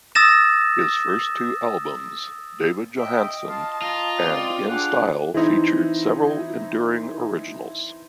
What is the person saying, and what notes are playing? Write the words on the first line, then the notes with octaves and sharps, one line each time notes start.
His first two albums, "David Johansen" and "In Style", featured several enduring originals.
D#6 E6 A6 A#6 E7
D#5 E5 G5
F4 A5
F4 A#5
C4 D5
D4 G4 G#4 F#5
E3 C4 D#4 E4